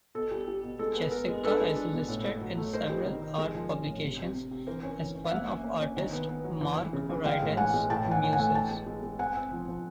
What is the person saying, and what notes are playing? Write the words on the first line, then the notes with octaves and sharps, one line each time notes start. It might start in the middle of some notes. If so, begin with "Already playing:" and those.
Jessicka is listed in several art publications as one of artist Mark Ryden's muses.
B2 A4
G3
G3
B2
G#3 A4
B3
B3 A#4
G#3
D4 A4 B4
G#3
D4
B2
A2
A2
F#3
A3
D#4 A#4 C5
G3
D#3
D#4
G#3 A#4
F3
C#4
A2
C3
C3
C3
C3
E3 A#4 C5
C#4
E3
C#4
F5
A#3 E5 F#5
C#4
A#3
C#4
D#3
B3
B3
F#3
E3
E3
C#3
E3
G#3 F5 G5
A2
E3 F#5 G#5
G#3
A2 G5 A5
E3
F#5 G#5
A2
F#5 G#5
A3
E3 G5 A5
G#3
G#3
G#3
C4 F#5 G#5
C4
F3
F3